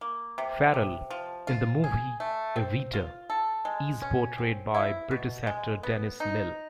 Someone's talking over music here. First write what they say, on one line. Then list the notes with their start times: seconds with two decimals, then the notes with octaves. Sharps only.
Farrell, in the movie "Evita", is portrayed by British actor Denis Lill.
0.01 A#3
0.38 C3
0.74 C3
1.10 F3
1.47 F4
1.84 G#4
2.20 A3
2.56 C4
2.93 F4
3.30 A4
3.65 G#3
4.02 C#4
4.38 C4
4.74 E4
5.11 B2
5.47 G#3
5.83 B3
6.20 D#4